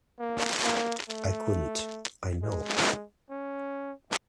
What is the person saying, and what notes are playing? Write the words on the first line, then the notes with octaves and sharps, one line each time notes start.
I couldn’t, I know.
A#3
A#3
A3
G#3
C#4